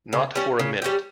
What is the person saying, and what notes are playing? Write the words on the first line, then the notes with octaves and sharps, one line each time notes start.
Not for a minute.
C#3
G3 C#4
C#3
G3 C#4 G4